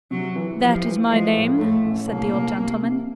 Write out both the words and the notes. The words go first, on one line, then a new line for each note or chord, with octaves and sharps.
'That is my name,' said the old gentleman.
C3 F#3
E3
F3 G3
E3
F3 G#3
A2
A2 A3
A1
C2 A#3
C2
C3
C3